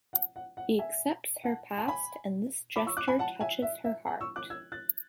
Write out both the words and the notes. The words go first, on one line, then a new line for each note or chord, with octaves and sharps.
He accepts her past and this gesture touches her heart.
F#5
F#5
F#5
E5 G#5
F#5 A5
A5
G#5 B5
B5 D6
C#6 E6
D6 F#6
G#5 B5
F#5 A5
E5 G#5
E5
E5
F#5
C#6 E6
D6 F#6
E6 G#6
F#6 A6